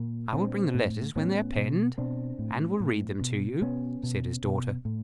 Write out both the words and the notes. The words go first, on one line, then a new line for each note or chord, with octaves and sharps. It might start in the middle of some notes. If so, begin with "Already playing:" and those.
"I will bring the letters when they are penned, and will read them to you," said his daughter.
Already playing: A#2
A#2 C4 D4
A2
A2 B3 C#4
B2
B2 C4 D4
A2
A2
B2
B2 B3 C#4
B2
B2
A2